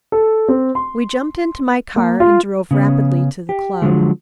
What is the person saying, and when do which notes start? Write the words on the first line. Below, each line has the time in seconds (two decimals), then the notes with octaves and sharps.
We jumped into my car and drove rapidly to the club.
0.12 A4
0.48 C4
0.75 C6
1.96 A#3
2.20 F4
2.71 C#3 B3 C#4
3.49 G4
3.82 D3 F3 F#3 G#3